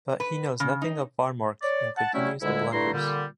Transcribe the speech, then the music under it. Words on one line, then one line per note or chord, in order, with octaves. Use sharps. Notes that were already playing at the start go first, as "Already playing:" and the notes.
But he knows nothing of farm work, and continues the blunders.
B4
C#3
D#4
C#5 D5
F#5 A5
F#3 G3 A3 C#4 E4
D2 A#2 D3 G#3 E4
G2 D3 A3 E4 A#5 C6
A#2 D3 G3